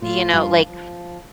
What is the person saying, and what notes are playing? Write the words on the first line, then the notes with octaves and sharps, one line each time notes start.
you know like,
A2 F4
G2 F3
F3